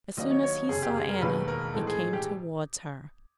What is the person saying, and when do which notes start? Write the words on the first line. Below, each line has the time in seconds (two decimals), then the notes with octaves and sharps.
As soon as he saw Anna he came towards her.
0.17 D#2 D#3 F#3 A#3 D4 D#5
0.31 C#5
0.43 C#5
0.69 F#1 F2 C3 G#4
0.82 G4
0.96 G#4
1.09 A#4
1.21 E1 D#2 D#3 G#3 B4
1.48 A#4
1.74 A2 E3 G#3 C4 D#4 A4
1.87 G#4
2.13 G4